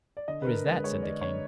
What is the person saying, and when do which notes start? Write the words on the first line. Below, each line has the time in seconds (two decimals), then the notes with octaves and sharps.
"What is that?" said the king.
0.17 D5
0.28 D3 D#5
0.42 B4
0.46 D3 A#4
0.65 G#3 B4
0.84 G#3 C#5
1.02 G#3 D5
1.21 D3 C#5